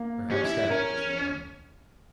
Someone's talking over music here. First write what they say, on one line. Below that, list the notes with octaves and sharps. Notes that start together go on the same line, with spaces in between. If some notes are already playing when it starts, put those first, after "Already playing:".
Perhaps that was the one.
Already playing: A#3
C#4 G4
E4
E4
C#4 A#4